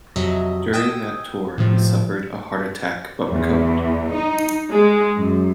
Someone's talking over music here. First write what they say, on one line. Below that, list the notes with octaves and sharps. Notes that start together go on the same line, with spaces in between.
During that tour he suffered a heart attack but recovered.
F2 C3 F#3 D#5 E5
D#5 G5 G#5 D#6 E6
A2 C3 F3
E2
D#4
G#3
F#2